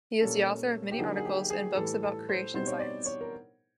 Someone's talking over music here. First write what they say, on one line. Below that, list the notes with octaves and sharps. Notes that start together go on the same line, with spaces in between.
He is the author of many articles and books about creation science.
A#2 G3 A#3 C#4 A4
G4
D3 F#3 A#3 D#4 G#4
G#4
G4
G#4
A2 E3 G3 A4
A4
C5
B2 G3 C4 D#4 C5
C#5
D5
C#5
A#4